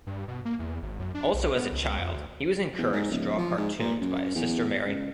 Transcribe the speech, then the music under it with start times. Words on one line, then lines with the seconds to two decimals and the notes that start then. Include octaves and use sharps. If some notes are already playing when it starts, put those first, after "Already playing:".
Also as a child he was encouraged to draw cartoons by his sister Mary.
0.07 G2
0.28 B2
0.45 A#3
0.59 E2
0.82 G#1
1.00 F#2
1.15 D4
1.34 B1
1.56 B3
1.72 C#2
1.99 F2
2.14 D2
2.78 E2
2.93 G#2
3.11 D1
3.38 F3
3.57 G#2
3.79 A#2
4.01 F#2
4.35 E2
4.86 C#2